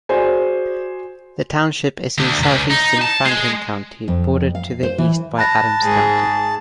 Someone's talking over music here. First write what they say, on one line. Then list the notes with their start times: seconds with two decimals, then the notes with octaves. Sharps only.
The township is in southeastern Franklin County, bordered to the east by Adams County.
0.09 F#4 G#4 C5 D5 G#5
2.18 D2
2.43 C#2
2.70 D#4
3.01 A5
3.25 G#3
4.08 F2
4.55 F5
4.83 C5
4.98 E3
5.38 A5 B5 F#6 A#6
5.83 G#2 G#4